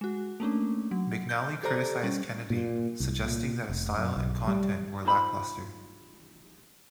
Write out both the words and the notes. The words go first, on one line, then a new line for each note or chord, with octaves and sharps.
McNally criticised Kennedy, suggesting that his style and content were lacklustre.
G#3 F#4
A3 A#3 C#4 D4
F#3
G6
G4 A4 C5 D5 A#5
G3 C#4
A#2
C2
A#2
F1
F#2
B1
G3
D#4 F4 C5 B5